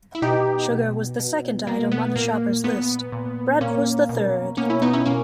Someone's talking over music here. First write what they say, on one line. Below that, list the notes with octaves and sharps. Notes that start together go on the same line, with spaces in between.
Sugar was the second item on the shopper’s list; bread was the third.
E4
B2 D#4 G4
B2
B2
B2 A#3
B3
A#2 A#3
A#2 B3
A#2
A#2 A#3 C#4
B2
B2 A#3 C#4
C#4 E4
B3 D#4
C#4 E4
B2 A#3 C#4